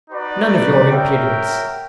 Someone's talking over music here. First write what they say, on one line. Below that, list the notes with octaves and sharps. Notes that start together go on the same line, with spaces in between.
"None of your impudence!"
D#4 F#4 B4 D5
F#4 A#4 C#5 E5 G5